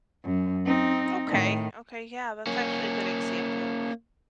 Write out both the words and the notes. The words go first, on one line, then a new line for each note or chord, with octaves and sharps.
Okay, okay, yeah, that's actually a good example,
F#2
C4 D#4
A2 D#3
A#3 C#4